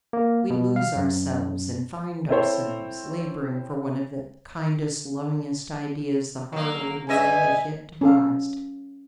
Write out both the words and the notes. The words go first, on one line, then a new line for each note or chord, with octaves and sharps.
We'd lose ourselves--and find ourselves--laboring for one of the kindest, lovingest ideas the hard old world has yet devised.
A#3
B2
F5
F#2
C4 E4 A4 C5 C#5
F#3 A#3
G2 D#5 E5 G#5
C#4 A4 F5